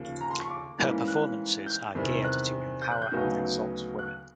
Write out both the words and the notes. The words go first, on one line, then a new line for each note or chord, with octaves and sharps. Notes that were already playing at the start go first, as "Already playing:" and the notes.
Her performances are geared to empower and exalt women.
Already playing: D#2 C#3 F3 A#3
A#5
C6
C#6
D6
G#2 E3 G3 A#3 C#4
F#6
G6
E2 C3 D#3 G3 C4
F#6
G6
F#6
G6
D2 C#3 F#3 B3 D#4
F#6